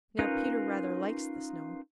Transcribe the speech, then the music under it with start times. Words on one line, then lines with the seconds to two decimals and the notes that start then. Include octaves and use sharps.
Now Peter rather likes the snow.
0.19 C#4 D#4 F4 A#4 B4